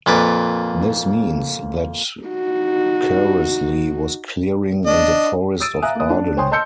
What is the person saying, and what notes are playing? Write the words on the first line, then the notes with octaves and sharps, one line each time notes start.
This means that Keresley was clearing in the Forest of Arden.
F2 A#2 B4 D5
D#4 F#4
D4 D#5
D#6 E6 A6 D7 D#7
E5 F5 G#5 A#5 D#6 F#6
A#3 D#6
D4
C5 C#5 G5 G#5 C6 D#6
D#5 A5 C6 E6 G6 C#7